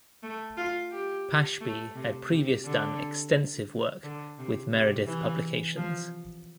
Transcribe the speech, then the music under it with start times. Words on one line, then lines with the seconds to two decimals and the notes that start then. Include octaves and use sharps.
Pashby had previous done extensive work with Meredith Publications.
0.23 A3
0.57 F4
0.91 G4
1.60 A3
1.95 C3
2.31 C3
2.65 D3
4.04 D3
4.38 C3
4.73 C3
5.07 E3
5.77 F3